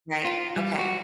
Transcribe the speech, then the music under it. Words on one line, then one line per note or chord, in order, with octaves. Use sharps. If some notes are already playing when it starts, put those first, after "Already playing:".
Right, okay.
F4
G3
F#4